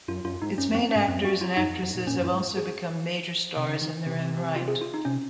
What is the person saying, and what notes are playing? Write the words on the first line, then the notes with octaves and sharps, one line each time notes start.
Its main actors and actresses have also become major stars in their own right.
F#2 F4
F#2 F4
G#2 D#4
F#2 C#4
F#2
C4
G#2 C#4
F#2 C4
F#4
F4
F#2 D#4
F2
F#2
A#2
A#2 C#4
F#2
F4
G#2
G#4
C3
C#3
D#3
C3
F4
G#4
F4
D#4
C3 C#4